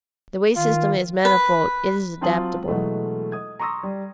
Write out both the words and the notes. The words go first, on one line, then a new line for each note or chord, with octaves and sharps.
The wage system is manifold, it is adaptable.
D#3 F4
B4
F#3 C4 F4 A5 D#6 F#7
B2 E3 F#3 G#3 A3
D#5 D#6 G#6
A#5 C6 C#6 D#6 E6 A#6
G3